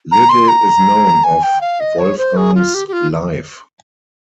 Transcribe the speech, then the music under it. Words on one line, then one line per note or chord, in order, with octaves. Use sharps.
Little is known of Wolfram's life.
A#5
C6
A#5
G#5
G5
F5
D#5
C#5
C5
G#4
F4
G4
G4
F4